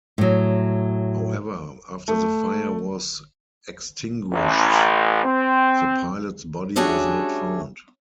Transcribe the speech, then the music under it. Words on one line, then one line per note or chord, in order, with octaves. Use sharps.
However, after the fire was extinguished, the pilot's body was not found.
A2 F#3
A3
A1
C4
G3 A3 C#4 D4 F#4 G#4